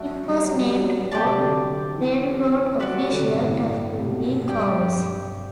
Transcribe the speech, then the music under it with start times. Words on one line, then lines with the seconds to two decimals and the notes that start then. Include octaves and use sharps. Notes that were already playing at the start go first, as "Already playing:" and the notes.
It was named for railroad official W. D. Cowles.
Already playing: F#3 A3 D4 F#4
0.27 G3
0.41 F#3
0.55 G3
0.69 F#3
0.79 F#3
0.90 G3
1.00 F#3
1.11 F#3 G4 D5 A5
1.25 C3
1.39 D3
1.96 E3
2.80 F#3 F#4 B4 D5
2.90 G3
3.01 F#3
3.11 D3
3.22 C3
3.32 G2
3.43 A2
3.53 A2
3.97 C3
4.06 B2
4.48 G2 G4 D5 G5